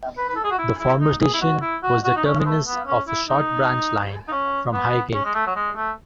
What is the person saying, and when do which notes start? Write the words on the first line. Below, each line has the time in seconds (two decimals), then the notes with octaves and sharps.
The former station was the terminus of a short branch line from Highgate.
0.17 B4
0.28 B4
0.36 A4
0.44 G#4
0.51 F#4
0.58 E4
0.79 E4
1.00 D#4
1.21 G#4
1.33 E4
1.42 F#4
1.62 E4
1.83 F#4
2.04 F#4
2.16 D#4
2.25 C#4
2.39 G#3
2.45 A3
2.66 B3
2.86 C#4
3.07 E4
3.28 D#4
4.28 D#4
4.32 C#4
4.73 B3
5.14 C#4
5.24 G#3
5.34 A3
5.46 F#3
5.56 G#3
5.76 A3